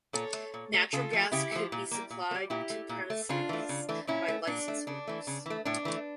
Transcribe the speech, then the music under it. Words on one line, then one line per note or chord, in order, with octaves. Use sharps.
Natural gas could be supplied to premises by license holders.
A#2 A4 C#5
A3
A#2
A3
C#3 F4 A4
F3 A3
C#3 E4 G4
F3 A3
A#2
G3 A#3
A#2
A#3
G3
A#2 E4 G4
A3
A#2
A3
C#3 D4 F4
E3 A3
C#3
E3 A3
A#2 C#4 E4
A3
A#2 D4
A3
C#3 D4
E3 A3
C#3
E3 A3
A2 D4
E3 A3